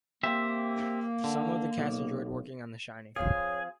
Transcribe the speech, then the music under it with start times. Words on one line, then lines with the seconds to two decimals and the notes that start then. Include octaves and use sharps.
Some of the cast enjoyed working on "The Shining".
0.23 A#3 C4 G4 E5
1.24 D3
1.78 B1
3.16 F3 C4 G#4 C#5 F5